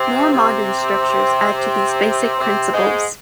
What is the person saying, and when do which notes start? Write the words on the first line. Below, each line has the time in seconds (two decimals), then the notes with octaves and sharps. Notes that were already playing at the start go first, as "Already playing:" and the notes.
More modern structures add to these basic principles.
Already playing: C3 C4
0.31 C3 C4
2.39 C3 C4
2.73 G#2 G#3